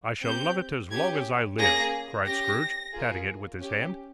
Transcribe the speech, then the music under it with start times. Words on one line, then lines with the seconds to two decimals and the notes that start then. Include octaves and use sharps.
'I shall love it as long as I live!' cried Scrooge, patting it with his hand.
0.24 C4 G4 G6
0.91 C#4 G4 G#6
1.58 A#3 C#4 G#4 A#6
2.25 C#4 G4 A#6
2.92 A#3 F4 G#4
3.59 C#4 G4